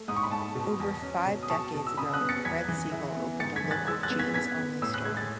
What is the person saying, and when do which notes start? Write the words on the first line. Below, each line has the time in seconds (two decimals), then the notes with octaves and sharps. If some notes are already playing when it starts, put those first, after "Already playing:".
Over five decades ago, Fred Segal opened a local jeans-only store.
Already playing: A3
0.08 G#2 D#6
0.16 C#6
0.23 B5
0.31 G#2 A5 C#6
0.55 B2
0.80 E2
1.02 C#4
1.26 B2
1.43 D#6
1.50 B2 A5 C#6
1.74 B2
1.87 E6
1.97 C#3 B5 D#6
2.14 D#6 F#6
2.21 B3
2.29 A6 C#7
2.45 E2 G#6 B6
2.68 E3
2.92 E4
3.17 B3
3.40 G#2 A6 C#7
3.56 G#6 B6
3.64 E3
3.71 F#6 A6
3.87 G#3 E6 G#6
4.03 F#6 A6
4.10 B3
4.19 G#6 B6
4.34 B3 G#6 B6
4.58 B3
4.82 A2 E6
4.94 F#6
5.05 G#3 G#6
5.17 A6